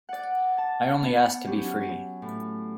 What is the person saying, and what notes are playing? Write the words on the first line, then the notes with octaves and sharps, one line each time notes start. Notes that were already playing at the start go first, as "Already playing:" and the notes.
I only ask to be free.
D5 F#5
A5
B3
F#3 C#4 G4
A2